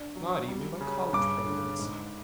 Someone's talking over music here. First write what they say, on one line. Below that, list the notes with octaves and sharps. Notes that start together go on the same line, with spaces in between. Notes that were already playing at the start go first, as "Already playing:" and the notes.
Not even by college presidents.
Already playing: D4
F#3
G3
C#3
G2 D6
D3
G#2